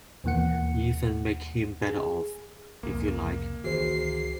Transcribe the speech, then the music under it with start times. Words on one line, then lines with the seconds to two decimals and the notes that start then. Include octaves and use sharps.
Even make him better off, if you like.
0.24 D#2 B2 E3 A#3 F#5 C#7
1.82 G#4
2.83 C2 F2 C#3 A#3
3.64 C#2 D#3 E3 F#4 G#4 C5 C7